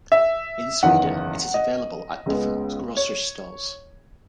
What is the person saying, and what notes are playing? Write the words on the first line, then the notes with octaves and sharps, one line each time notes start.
In Sweden it is available at different grocery stores.
E5
F#1 E2 D#3 F#5
D#5
C#2 C#3 G#3 B3
C#5